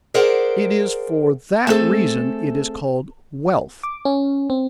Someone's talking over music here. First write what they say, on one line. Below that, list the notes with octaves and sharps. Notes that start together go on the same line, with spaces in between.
It is for that reason it is called wealth.
G#4 A#4 C5 D5 E5 F#5
A3 C4 G#4 A4
D6
C#4
C4